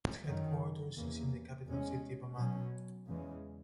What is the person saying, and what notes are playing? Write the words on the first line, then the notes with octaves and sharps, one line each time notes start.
Its headquarters is in the capital city Bamako.
F#2 D#3 F#3
E2 C#3 E3 A#3
E2 B2 G#3 C#4
B2 F#3 C#4
E2 C#3 E3 G#3